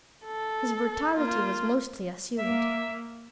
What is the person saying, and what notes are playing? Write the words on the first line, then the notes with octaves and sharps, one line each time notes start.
His brutality was mostly assumed.
A4
A#3 F4
A#3 E5